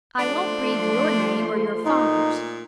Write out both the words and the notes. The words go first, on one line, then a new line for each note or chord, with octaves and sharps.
I won't breathe your name or your father's.
F3 A3 D4 C6
A#2 D#4